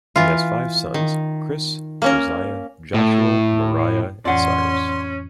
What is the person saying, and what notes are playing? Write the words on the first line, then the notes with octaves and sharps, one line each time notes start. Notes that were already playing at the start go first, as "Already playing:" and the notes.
He has five sons, Kris, Josiah, Joshua, Moriah and Cyrus.
E3 F4
D#3
A#3 C#4 A#4
A2
F2 A2 E3 C#4 D5 F#5 C6